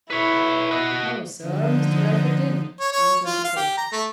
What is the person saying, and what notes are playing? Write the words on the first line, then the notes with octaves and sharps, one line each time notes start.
"No, sir, Mr. Elphick didn't," answered the porter.
E4 B4 C#5
F#4 D#5
D3 F3 D#4
C#5
C#5
F4
F5
G4
A#5
A3